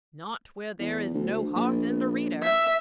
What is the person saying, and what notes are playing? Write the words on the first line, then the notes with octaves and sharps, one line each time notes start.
"Not where there is no heart in the reader."
E2
D2
A#1
E5